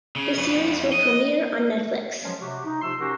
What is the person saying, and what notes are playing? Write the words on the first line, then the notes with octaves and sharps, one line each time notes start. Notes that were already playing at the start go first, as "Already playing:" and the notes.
The series will premiere on Netflix.
C#3
F2 B4
D#5
F3 F#3 G#3 C#4
C3 F#4 G4
D#4
C3 F3 A3 F4 C6 E6
C3 C#4 F#4 G4 A#4 C5